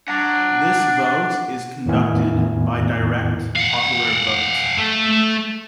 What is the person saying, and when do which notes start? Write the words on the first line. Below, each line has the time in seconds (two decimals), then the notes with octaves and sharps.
This vote is conducted by direct popular vote.
0.08 D4 F#5 A#5
1.86 E2 A2 D#3 B3 E4 G#5
3.56 F5 F#5
4.78 A3